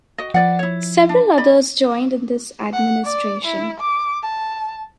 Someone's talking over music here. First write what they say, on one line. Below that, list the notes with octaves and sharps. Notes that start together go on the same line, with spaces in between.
Several others joined in this administration.
F#4 D#5
F3 B4 D5 F#5
E4 C#5
D4
D5 D#5 B5
F#5
D5
E4
D6
A5